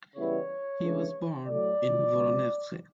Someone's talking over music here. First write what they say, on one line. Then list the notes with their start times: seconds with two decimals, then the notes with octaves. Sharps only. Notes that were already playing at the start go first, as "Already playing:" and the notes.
He was born in Voronezh.
0.16 C#3 E3 G3 B3 E4 C#5
0.82 C#2 C#3 E3 A3 D4
1.47 A2 F#3 A3 D5
2.13 C#2 C#3 F3 G#3